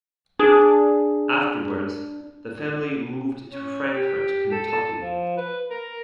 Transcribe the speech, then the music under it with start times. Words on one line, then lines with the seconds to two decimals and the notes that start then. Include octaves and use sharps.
Afterwards, the family moved to Frankfort, Kentucky.
0.39 D4 G#4
3.51 C#4
3.92 G4
4.52 A4
4.72 A4
5.00 F3
5.37 B4
5.71 A#4